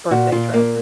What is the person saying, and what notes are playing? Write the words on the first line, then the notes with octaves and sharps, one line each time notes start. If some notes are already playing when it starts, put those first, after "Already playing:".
birthday trip
A#2 F#4
A#2 F4
A#2 A#3